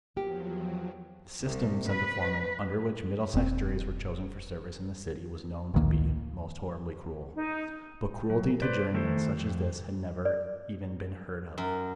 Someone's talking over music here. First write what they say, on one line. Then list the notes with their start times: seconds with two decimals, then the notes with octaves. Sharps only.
The system, said the foreman, under which Middlesex juries were chosen for service in the City was known to be most horribly cruel;--but cruelty to jurymen such as this had never even been heard of.
0.16 E2 F3 F#3 A#3 G4
1.41 C2
1.88 B4
3.34 E1 C4
5.74 A1 D2 D#3 A#3
7.36 D#4
8.30 F#3
8.62 B4 C5 D5
8.94 D#3 A3 E4 A4 C5
9.37 F2
10.25 D5
11.58 F#2